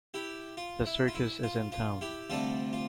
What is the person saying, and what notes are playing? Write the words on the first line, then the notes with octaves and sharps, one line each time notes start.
The circus is in town!.
E4 G4
F4
E4
F4
E4
F4
F4
E4 G4
D2 C3 G3 D4 F4 A4
F4